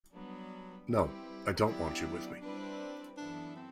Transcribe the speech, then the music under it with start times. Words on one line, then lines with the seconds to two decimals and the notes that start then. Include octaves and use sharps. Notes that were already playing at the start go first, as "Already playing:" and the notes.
No, I don't want you with me.
0.14 F#3 G3 B3 D4
0.90 G3 C4 E4 G4 B4
1.65 F#3 B3 D4 E4 G4 D5
2.41 G3 C4 D4 E4 B4 D5
3.17 F#2 E3 B3 D4 E4 A4
3.56 C4